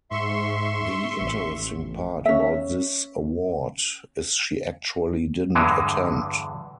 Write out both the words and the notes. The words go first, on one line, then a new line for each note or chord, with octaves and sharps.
The interesting part about this award is she actually didn't attend.
G#2 E5 C6 C#6
A1
C#4 E5
E2 G2 D3 E3 F#3 G#3